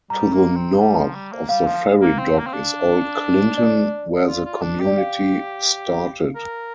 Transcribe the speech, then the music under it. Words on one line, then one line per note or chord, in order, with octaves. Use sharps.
To the north of the ferry dock is old Clinton, where the community started.
G3 A#5
A#3
C4
G3
F3
G3
A#3
G3 F5
F3
A#3
C4
A#3
C4
D4
D5
F4
F4
D4
G4
D5
F5
A#4